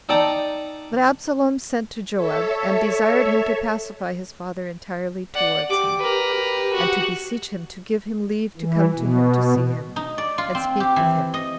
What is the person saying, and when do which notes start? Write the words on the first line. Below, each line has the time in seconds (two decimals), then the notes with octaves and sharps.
But Absalom sent to Joab, and desired him to pacify his father entirely towards him; and to beseech him to give him leave to come to him to see him, and speak with him.
0.09 D#4 A4 D5 G5 A5 A#5
2.15 A4 C#5 E5
5.35 D5 F#5
5.70 G4 D6
5.99 A#4 B4
6.35 G4
6.73 F#4 F#5
8.57 E3
8.95 B2
9.96 D#4
10.18 D5
10.38 F4
10.55 C4
10.80 G4
10.96 E3
11.34 D#5